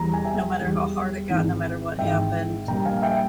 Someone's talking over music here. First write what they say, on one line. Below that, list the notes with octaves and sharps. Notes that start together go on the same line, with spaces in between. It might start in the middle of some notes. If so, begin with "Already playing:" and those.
no matter how hard it got, no matter what happened,
Already playing: E2 E3 G3 A#5
G#5
E5 G5
E2 E3 G3
G#1 G#2 E3
G#1 G#2 E3 E5 G5
A#1 A#2 G3 G5 A#5
F5 G#5
E5 G5